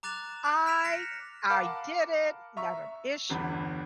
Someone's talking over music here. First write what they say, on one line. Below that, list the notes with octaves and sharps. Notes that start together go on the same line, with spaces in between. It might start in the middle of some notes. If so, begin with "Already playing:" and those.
I I did it, not a issue."
A#5 D6 F#6 A6 E7 F7
G6
F6 B6 D7 E7 F7
F#6 A#6 C#7
A#4 F5 F#5 A5 B5 D6
E5 A#5 C#6
G1 E2 D3 B5